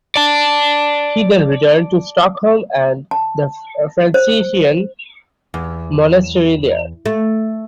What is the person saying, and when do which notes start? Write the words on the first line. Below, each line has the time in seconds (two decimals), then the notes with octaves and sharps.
He then returned to Stockholm and the Franciscan monastery there.
0.16 D5 A5
3.11 A5
4.14 C5
5.54 E2
7.06 A3